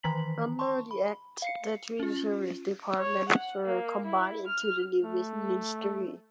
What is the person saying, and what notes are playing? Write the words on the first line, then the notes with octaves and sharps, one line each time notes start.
Under the Act the three Service departments were combined into the new Ministry.
D#3 E3 A#5 B6 F#7
A5 C6 C#6
B5
F5 C7 C#7
C#4 F4
C#5
F#5
A#3
E4
F6
A3